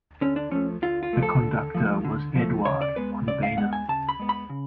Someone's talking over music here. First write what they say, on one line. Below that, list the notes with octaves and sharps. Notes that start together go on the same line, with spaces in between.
The conductor was Eduard van Beinum.
D3 C#4
D4
F3 A3 C#4
D3 F4
F4
F3 A3
A4
D3
F3 A3
D3
F3 A3
C#3 C#5
D5
G#3 B3 B4
C#3 D5
F5
G#3 B3 F#5
G#5
C#3 A5
B5
G#3 B3
B5
C#3